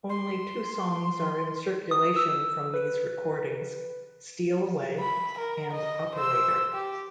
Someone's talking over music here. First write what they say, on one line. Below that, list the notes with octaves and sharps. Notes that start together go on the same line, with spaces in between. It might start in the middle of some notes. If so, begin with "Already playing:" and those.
Only two songs are in circulation from these recordings: "Steal Away" and "Operator".
C6
D#6
E6
B4
B5
A#4
D#5
C5 E6
G4